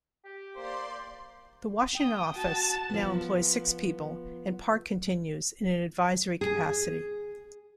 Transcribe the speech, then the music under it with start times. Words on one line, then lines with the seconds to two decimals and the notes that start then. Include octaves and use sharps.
The Washington office now employs six people and Park continues in an advisory capacity.
0.24 G4
0.56 A#3 C5 D5 C6
1.95 G5 D#6
2.33 F#4 A5
2.90 F3 B3
6.41 G#4